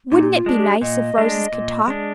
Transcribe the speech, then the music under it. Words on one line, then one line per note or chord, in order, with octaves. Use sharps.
Wouldn't it be nice if roses could talk?
A#2 D#4
F4
G#3 D4
G4
A#2 D#5
G#3 D4
A#2
G#3 D4